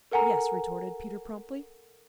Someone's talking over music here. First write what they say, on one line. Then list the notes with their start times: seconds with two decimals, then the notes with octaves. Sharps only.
"Yes," retorted Peter promptly.
0.12 A4 A#4 F#5 G#5 A#5